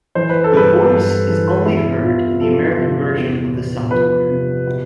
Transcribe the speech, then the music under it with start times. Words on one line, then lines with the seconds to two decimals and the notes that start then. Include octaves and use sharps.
The voice is only heard in the American version of the software.
0.15 E3 C5
0.30 B4
0.44 A4
0.53 G2 B4
0.91 G2
1.29 E3
1.66 E2 E4
2.03 E2 F4
2.41 F3 A4
2.78 C3
3.16 E2
3.53 E2
3.91 F3 B4
4.29 C3
4.67 B2